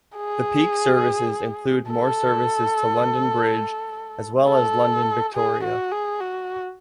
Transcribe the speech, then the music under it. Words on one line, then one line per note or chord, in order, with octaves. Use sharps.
The peak services include more services to London Bridge as well as London Victoria.
G#4
A4
A4
G#4
F#4
G#4
F#4